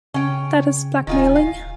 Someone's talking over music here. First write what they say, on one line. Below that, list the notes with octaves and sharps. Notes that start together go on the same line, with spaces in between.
That is blackmailing.
C#3 C#4 G5
D#1 D#3 F4 G#5
F5